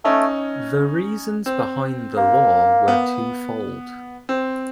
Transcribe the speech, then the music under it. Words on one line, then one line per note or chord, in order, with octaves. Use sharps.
The reasons behind the law were twofold.
A3 C#4 D#4
C4
A#3
B3
C4